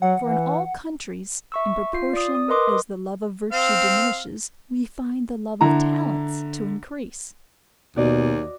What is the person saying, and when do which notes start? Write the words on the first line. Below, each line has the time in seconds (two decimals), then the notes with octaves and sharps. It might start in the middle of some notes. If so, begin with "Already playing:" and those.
For in all countries, in proportion as the love of virtue diminishes, we find the love of talents to increase.
0.02 F#3 F#5
0.20 E3
1.52 E5 C#6 E6
1.93 F4 C7
2.13 D5 D#6
2.35 D#6
2.48 A#4 B4 D#5 C6 D6 D#6
3.52 C4 F5
5.61 D3 E4 A#5
7.96 D#2 B2 F#4 D5 D#5